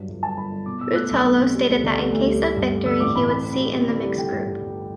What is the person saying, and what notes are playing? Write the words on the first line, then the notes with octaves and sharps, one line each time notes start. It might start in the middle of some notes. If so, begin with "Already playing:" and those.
Ruotolo stated that in case of victory he would seat in the Mixed Group.
Already playing: G2 F#3
G1
G1 A5
G1 B5
G1
B2 D6
B2 E6
A3 F#6
B1 E6
C4
B2
G3
D2
D3
G3
D2
G3
A3
G2
A3
D3 E6
A1 D6
A1 B5
C4 B5
C4
G3
C4
D3
G3
D3 G5
G1
G2
G1